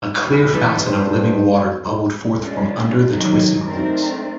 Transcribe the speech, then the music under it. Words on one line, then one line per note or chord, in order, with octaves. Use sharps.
A clear fountain of living water bubbled forth from under the twisted roots.
F1
A1 E3 B6
G2 C5
G#3 C#4 D4 F4
C3 D#3 F#3 D#4
A3 C4 D4 D#4 A#4